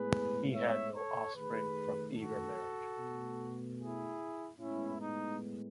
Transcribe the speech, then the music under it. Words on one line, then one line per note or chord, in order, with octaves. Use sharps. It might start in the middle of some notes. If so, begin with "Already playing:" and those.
He had no offspring from either marriage.
Already playing: A2 G#3 B3 G#4 B4
C#5 E5
A4 C#5
D#3 A3 G#4 B4
F#4 A4
B2 A3
E4 G#4
A2 G#3 B3 C#4 E4
D#4